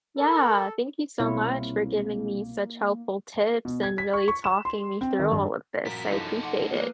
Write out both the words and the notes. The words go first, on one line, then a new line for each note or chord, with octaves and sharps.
Yeah. Thank you so much for giving me such helpful tips and really talking me through all of this, I appreciate it.
A4 A#4
C2 B2 A#3 E4 F4 C#5
B2
G#6
B6
C#6
C#6
E7
C6
C4
D#3
G2
A#1 F#4 A#4 B6
F#2 E3 F3 D#4 A4
F#5 C6 D6
F3 G#3 A#3 B4